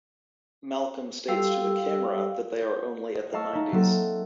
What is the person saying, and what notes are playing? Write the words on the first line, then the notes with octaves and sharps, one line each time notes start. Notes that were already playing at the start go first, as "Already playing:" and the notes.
Malcolm states to the camera that they are only at the nineties.
G3 G4 A4 F5 E6
G6
D#5
D#5 F5 A5 C#6 E6
D#4 E5
F#3 A#3 C4 A4